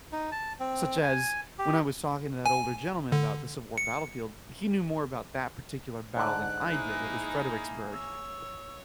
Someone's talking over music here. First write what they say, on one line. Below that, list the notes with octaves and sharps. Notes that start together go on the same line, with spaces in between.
Such as, when I was talking to that older gentleman about the Civil War battlefield, he knew more about that particular battle than I did, it was Fredericksburg,
D#4
A5
C4
G#5
G4
G#5
D3
C#7
G#2 D3 D5 F#6
A#3 D#4 E4 G#4
C#5 E6